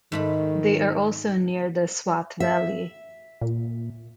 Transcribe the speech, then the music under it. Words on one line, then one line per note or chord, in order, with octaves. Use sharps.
They are also near the Swat Valley.
G#2 D#3 A3 B5
E5
A#2